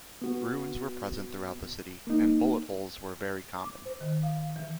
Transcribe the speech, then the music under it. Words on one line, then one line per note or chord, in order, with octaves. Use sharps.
Ruins were present throughout the city, and bullet holes were very common.
B3 F#4
A#3 D#4
D6
C5
D#3
F5
E3